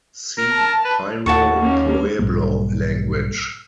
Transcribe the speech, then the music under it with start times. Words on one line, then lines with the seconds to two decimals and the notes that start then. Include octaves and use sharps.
See Piro Pueblo language.
0.38 A#4
0.51 A5
0.85 B4
1.26 D#2 F#4 A5 C#6
1.59 A#3 C#4
2.19 B1 G#2 G3 A#3